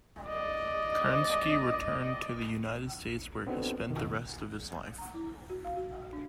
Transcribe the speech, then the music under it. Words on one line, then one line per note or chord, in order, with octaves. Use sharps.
Kerensky returned to the United States, where he spent the rest of his life.
D5 D#5
B3 C4 D4 D#4 F#4 A4
F2 B2 D#3
A#5
E4
F#4
F5
F#4
D4